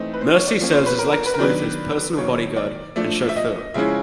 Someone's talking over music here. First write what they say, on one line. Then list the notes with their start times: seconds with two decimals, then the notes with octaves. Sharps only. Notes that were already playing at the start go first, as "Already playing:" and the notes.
Mercy serves as Lex Luthor's personal bodyguard and chauffeur.
Already playing: E3 A3 C4 D#4
0.14 B4
0.21 C5
0.34 C#5
0.47 D5
0.60 F3 A#3 C#4
0.73 C5
0.86 B4
0.99 A#4
1.13 A#4
1.26 B4
1.34 A#4
1.39 D#3 F#3 B3 D4 B4
2.17 D#3 F#3 A#3 C#5
2.56 D5
2.96 F3 A3 D4
3.29 E5
3.36 D#5
3.74 C#3 F3 G#3 C#4 E4 E5